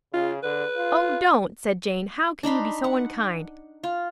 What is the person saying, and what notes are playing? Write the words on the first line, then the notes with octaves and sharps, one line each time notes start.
'Oh, don't!' said Jane; 'how can you be so unkind?
C#3 F4
D3 B4
F4
D4 D#4 B5 C6
F#5
F4